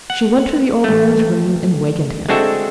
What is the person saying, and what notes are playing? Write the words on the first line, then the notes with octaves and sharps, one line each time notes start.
She went to the old man's room and wakened him.
F#5
A1 A3
G#3 C4 D4 F#4 A4 E5